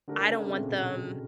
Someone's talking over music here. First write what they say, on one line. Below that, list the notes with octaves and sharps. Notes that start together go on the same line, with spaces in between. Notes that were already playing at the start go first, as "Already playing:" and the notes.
I don't want them
D3 A3 D4 G4 A#4
C#3
C#3
C3
A#2
B2